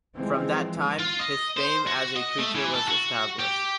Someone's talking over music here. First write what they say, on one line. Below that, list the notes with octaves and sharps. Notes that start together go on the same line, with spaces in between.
From that time his fame as a preacher was established.
E3 F3 G#3 C4
F4
D#5
C5
F#4
D#5
A3
E3
A4
F#4
G4